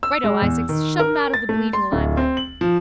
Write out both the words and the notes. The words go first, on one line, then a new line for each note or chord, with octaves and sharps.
Righto, Isaacs, shove em out of the bleeding limelight.
E6
G#3
E2
D#3
A#4
A6
A3
C6
D1
C4
F#7
F3